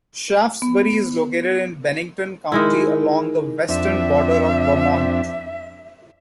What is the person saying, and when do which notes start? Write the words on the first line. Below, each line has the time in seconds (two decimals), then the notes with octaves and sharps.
Shaftsbury is located in Bennington County along the western border of Vermont.
0.62 B3
2.52 D#3 G#3 E4
3.69 F2 C4 D4 E5